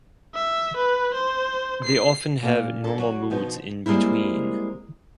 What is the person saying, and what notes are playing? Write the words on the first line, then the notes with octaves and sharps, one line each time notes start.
They often have normal moods in between.
E5
B4
C5
C7
A#2 A4 F5
D4 A4
F#3 F#4 C#5
B2 F3 B3 D#4
G3 G#3 A#3 C4 E4